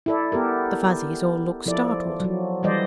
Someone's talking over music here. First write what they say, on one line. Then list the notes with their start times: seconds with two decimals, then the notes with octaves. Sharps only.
The Fuzzies all looked startled.
0.06 E4 A4 D5
0.32 B3 G4 A4 A#4
1.66 F3 E4 A4 D5
2.20 F3 F#3
2.63 E3 G3 A4 C5 D5 D#5